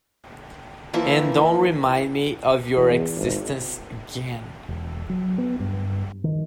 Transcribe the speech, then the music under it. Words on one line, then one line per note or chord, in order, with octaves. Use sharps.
And don’t remind me of your existence again.
E3 F3 A#3 E4
E2
G#1
E1
F#3
B3
G2
D#3